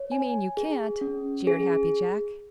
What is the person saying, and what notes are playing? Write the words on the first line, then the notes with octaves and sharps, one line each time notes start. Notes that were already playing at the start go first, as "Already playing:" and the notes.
"You mean you can't!" jeered Happy Jack.
Already playing: C#5
G#5
G#4
C#4
G#4